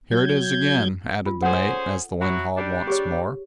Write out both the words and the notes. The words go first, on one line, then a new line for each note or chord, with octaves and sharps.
"Here it is again," added the mate, as the wind hauled once more.
F#3 G6 G#6
F4
C#4 G#4 A4 C5 F#5
F#3 E4 F#4
G3 D4
G4 G#4 C#5